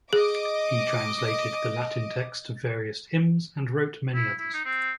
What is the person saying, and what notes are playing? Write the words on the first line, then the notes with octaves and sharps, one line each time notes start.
He translated the Latin texts of various hymns and wrote many others.
G#4 D#5 D6
E4
E4
D#4
C4